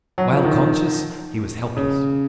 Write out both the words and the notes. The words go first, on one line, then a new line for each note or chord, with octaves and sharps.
While conscious, he was helpless.
F#3
F3
D#3
D#3
C#3